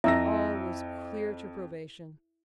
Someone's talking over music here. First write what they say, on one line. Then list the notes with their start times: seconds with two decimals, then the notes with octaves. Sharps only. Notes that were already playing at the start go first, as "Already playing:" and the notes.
All was clear to probation.
0.04 F2 E4 E5 E6 A#6